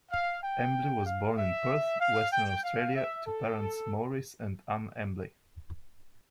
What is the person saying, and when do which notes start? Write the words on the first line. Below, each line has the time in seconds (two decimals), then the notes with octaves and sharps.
Embley was born in Perth, Western Australia, to parents Maurice and Anne Embley.
0.11 F5
0.43 G5
1.06 F5
1.37 E5
2.00 F5
2.32 G5
2.64 F5
2.95 E5
3.26 A4